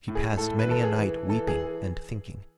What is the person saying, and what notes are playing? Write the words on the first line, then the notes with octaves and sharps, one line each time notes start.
She passed many a night weeping and thinking.
A2
G#4
A2 A4
B4
E3 A4
G#4
E3
E3 A4
G#4